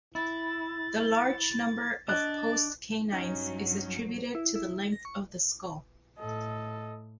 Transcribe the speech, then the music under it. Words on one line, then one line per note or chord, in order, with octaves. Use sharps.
The large number of postcanines is attributed to the length of the skull.
E4 A6
D4 D#5 F#6 A6
G2 F#3 C#4 D#4
E4
E4
A#6
C#6
A2 A4 D#5